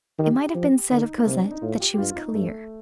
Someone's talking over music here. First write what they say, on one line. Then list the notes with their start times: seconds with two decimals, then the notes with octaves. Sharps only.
It might have been said of Cosette that she was clear.
0.18 D#3 G4
0.55 F3
0.90 D3 D#4
1.18 A#3
1.26 C3 C4
1.40 D4
1.51 D#4
1.62 A2 F4
1.80 G4
1.94 G4
1.98 G2 F4
2.11 F4
2.16 D#4
2.34 G2 A3